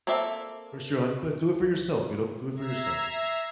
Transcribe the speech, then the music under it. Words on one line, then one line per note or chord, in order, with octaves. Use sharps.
For sure, hon, but do it for yourself, you know, do it for yourself.
A#3 C4 A4 D5 E5
E5 A#5 E6 G#6 C7